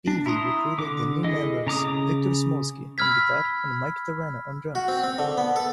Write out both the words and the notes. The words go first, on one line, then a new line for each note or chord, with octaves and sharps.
Peavy recruited the new members Victor Smolski on guitar and Mike Terrana on drums.
D4
E4 A#5 C6 D#6
D3 D6
E4 G#4 A4 D#5
C#3 A#5 D6 D#6
B5 E6 F6 G#6 B6
F#4
C4
C4
D3
B3
A4